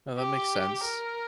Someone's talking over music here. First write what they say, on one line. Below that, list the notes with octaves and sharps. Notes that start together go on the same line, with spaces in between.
No, that makes sense.
G4
A#4